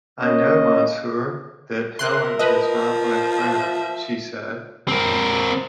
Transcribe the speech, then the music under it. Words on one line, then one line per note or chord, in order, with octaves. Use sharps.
"I know, monsieur, that Helene is not my friend," she said.
A#3 C#4 D#5
A#4 E5 C6 F#6
F3 B4 D#5
F4
E5
C4 A#4